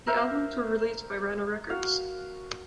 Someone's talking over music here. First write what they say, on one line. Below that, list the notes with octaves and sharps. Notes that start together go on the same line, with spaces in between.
The albums were released by Rhino Records.
A#4 C5 E5
F#4 F5